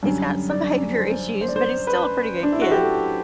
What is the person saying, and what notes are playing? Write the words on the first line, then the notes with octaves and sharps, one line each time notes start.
he's got some behavior issues, but he's still a pretty good kid,
F#2 D3 G3
D5
C5
C5
D5
C5
B4
D4
E4
F#4
G4
A4